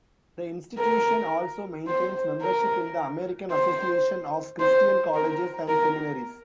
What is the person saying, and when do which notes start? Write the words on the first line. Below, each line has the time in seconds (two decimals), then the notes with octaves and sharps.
The institution also maintains membership in the American Association of Christian Colleges and Seminaries.
0.78 A#4
1.87 C5
2.41 A#4
3.51 C5
4.60 C5
5.14 A#4
5.68 A#4